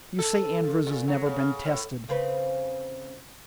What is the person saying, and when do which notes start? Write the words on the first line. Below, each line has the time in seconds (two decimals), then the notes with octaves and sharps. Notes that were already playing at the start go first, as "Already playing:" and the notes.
You say Andrews has never been tested.
0.19 A4
0.63 F3
0.87 A#2
1.08 F#3
1.26 C#3
1.66 A2
2.08 C#3 C4 B4